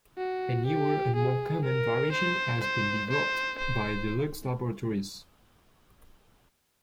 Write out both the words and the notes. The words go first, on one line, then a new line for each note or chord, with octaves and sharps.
A newer, and more common variation, has been developed by Deluxe Laboratories.
F#4
G4
G#4
A#4
C5
C5
C5
C5